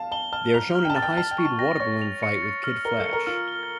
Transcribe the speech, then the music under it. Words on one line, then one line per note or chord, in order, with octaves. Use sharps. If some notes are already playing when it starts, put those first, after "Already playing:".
They are shown in a high-speed water balloon fight with Kid Flash.
Already playing: F5 A5
A5 G7
A5 F6
A#5 F7
F6
G5
A5
A6
G5
A5 F6
G5
C#6
A5
G5 A#6
C#5 C#6
F7
C#7
A6
F6
A#4 G7
A4
C#7
A#4
F4 F6
G7